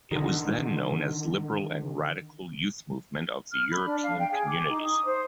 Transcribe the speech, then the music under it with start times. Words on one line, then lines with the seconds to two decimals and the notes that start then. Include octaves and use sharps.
It was then known as Liberal and Radical Youth Movement of the European Communities.
0.11 D3 D#3
3.52 F6
3.71 B5
3.85 D4
4.03 F5
4.19 G5
4.31 G#4
4.47 D6
4.68 D#4
4.82 D#6
5.05 C5